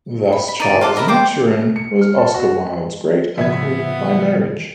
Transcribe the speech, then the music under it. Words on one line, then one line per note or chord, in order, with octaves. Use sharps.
Thus Charles Maturin was Oscar Wilde's great-uncle by marriage.
B5
B5
D#4 D5
F4 A4 D5 F#5
E4 A#4 D#5 E5
C5 D5 G5 D6
C#7
F6
A5
F#4
A2 C#3 F3 B3 E5 G#6